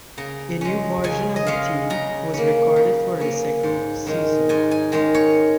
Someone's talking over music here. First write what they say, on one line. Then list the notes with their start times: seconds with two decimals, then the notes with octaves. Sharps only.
A new version of the theme was recorded for the second season.
0.18 C#3 A#5
0.61 G#3 C#4
1.04 C#3 G#5
1.36 D#5
1.47 G#3 C#4 F5
1.90 C#3 A#5
2.33 A#3 C#4
2.76 C#3
3.20 A#3 C#4
3.63 G#2
4.07 D#3 G#3 C#4
4.49 G#2 G#5
4.71 G#5
4.92 D#3 G#3 C#4
5.14 C#5